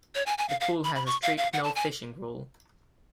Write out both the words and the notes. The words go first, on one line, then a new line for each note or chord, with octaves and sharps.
The pool has a strict no fishing rule.
C#5
G#5
G#5
F5
F5
B5
B5
C#6
F5
F5
F#5
A5
G#5